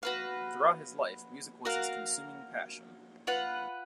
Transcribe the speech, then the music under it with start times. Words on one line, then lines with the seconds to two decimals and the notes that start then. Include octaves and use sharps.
Throughout his life, music was his consuming passion.
0.03 F#4 B4 F5
1.65 F#4 A#4 F5
3.27 F4 B4 F#5